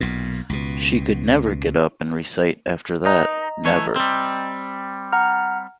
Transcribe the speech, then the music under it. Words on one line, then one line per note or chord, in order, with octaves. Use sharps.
She could never get up and recite after that — never.
B1 A#2
C#2 B2
D#4 D#5 A#5
E3 A3 C#5
G3 C4
F#5 A#5 F6